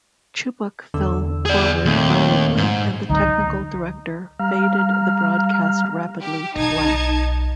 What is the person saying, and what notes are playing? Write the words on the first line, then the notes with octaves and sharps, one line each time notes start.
Chubbuck fell forward violently and the technical director faded the broadcast rapidly to black.
E2 D3 E6
G#4 D5
D#2 A#2 A3 C4
G#2
C#2 D3 F#3 D#4
G3 F5 A#5 F6
G4
B1 D#4 A5 G#6